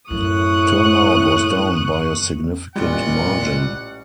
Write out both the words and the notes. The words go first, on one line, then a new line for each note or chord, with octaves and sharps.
Turnout was down by a significant margin.
F#2 A2 C#6 D#6 F#6
A1 A#2 G3 G#3 F4 F#5